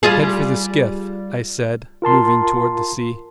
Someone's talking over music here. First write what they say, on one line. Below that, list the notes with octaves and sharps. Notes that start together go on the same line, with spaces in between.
"Head for the skiff!" I said, moving toward the sea.
G3 F4 G#4
F4 A#4 A5 C6